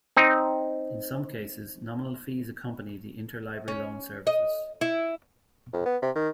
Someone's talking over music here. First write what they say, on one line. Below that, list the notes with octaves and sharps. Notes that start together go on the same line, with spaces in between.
In some cases, nominal fees accompany the interlibrary loan services.
C4 D#4
C#4
D#5
E4
F2
B3
C3
D#3